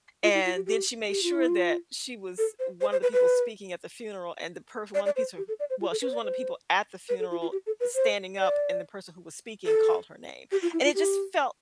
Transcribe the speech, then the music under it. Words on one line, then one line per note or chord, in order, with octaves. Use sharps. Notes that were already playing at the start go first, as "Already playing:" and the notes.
and then she made sure that she was one of the people speaking at the funeral and the perf one of piece of well, she was one of people at the funeral standing up and the person who was speaking called her name. And it just felt,
F4
E4
F4
G4
G4
G4
F4
E4
F4
A4
C5
C5
C5
B4
B4
D5
D5
C5
G4
A4
D5
C5
F4
A4
B4
C5
D5
C5
B4
A4
F4
F4
G4
A4
B4
C5
D5
A4
G4
F4
E4
F4
G4